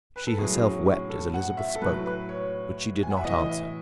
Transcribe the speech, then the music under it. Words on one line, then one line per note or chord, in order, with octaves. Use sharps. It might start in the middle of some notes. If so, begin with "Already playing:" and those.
She herself wept as Elizabeth spoke, but she did not answer.
B4
A4
A2 F#3 G#4
C#4
C#4
A4
F#5
E5
A4
A2 F#3 B4
B4
C#5
G#5
F#5
E5
A2 E3 D#5
D#5
E5